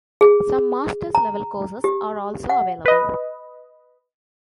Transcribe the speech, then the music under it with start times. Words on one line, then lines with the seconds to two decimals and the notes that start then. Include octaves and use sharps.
Some Masters Level courses are also available.
0.21 G#4
1.15 A#5
1.84 G4
2.49 F#5
2.86 B4 D#5